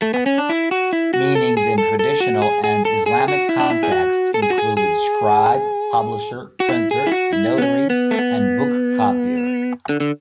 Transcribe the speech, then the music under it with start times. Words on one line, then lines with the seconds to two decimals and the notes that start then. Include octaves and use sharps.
Meanings in traditional and Islamic contexts include "scribe", "publisher", "printer", "notary" and "book-copier".
0.02 A3
0.14 B3
0.26 C#4
0.38 D4
0.49 E4
0.71 F#4
0.93 E4
1.14 F#4
1.35 A4
1.57 G#4
1.78 A4
1.99 A4
2.20 F#4
2.42 G#4
2.64 G#4
2.85 A4
3.06 G#4
3.28 F#4
3.49 E4
3.60 D4
3.70 E4
3.83 G#4
3.91 F#4
4.34 A4
4.42 G#4
4.50 F#4
4.58 G#4
4.77 G#4
6.60 F#4
6.69 E4
6.91 G#4
7.07 E4
7.12 F#4
7.33 E4
7.58 B3
7.62 C#4
7.90 B3
8.11 A3
8.19 B3
9.89 D3
10.00 D3